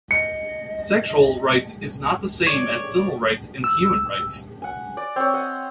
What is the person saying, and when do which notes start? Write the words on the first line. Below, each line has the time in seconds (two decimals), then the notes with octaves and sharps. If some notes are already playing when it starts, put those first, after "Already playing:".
Sexual rights is not the same as civil rights and human rights.
0.11 D#5 C#7
2.47 C#5 D5
3.64 E6
4.62 F#5 G#5
4.97 D5
5.16 C4 C#5
5.34 D#5 F#5